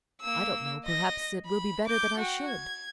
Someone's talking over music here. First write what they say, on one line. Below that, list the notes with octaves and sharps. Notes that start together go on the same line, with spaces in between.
"I don't know; perhaps it will be better that I should."
A#3 E6
D#5 A#6
B5
D6 G6
F#4 G5
G#6